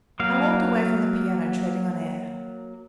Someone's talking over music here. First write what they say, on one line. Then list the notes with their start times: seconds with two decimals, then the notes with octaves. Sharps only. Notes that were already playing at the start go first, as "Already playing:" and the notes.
I walked away from the piano treading on air.
0.20 F#3 A#3 F5